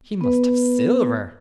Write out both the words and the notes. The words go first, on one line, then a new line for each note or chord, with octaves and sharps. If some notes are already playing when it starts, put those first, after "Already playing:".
He must have silver.
B3 B4